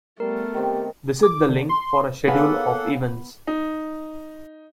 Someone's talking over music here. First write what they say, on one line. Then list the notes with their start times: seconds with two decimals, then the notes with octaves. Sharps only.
Visit the link for a schedule of events.
0.20 G3 A3 B3 A#4
0.54 D#3 C4 G4
1.23 D6
1.49 D3
1.69 C6
2.28 A#3 B3 G#4 A4 C#5 F5 F#5
3.47 D#4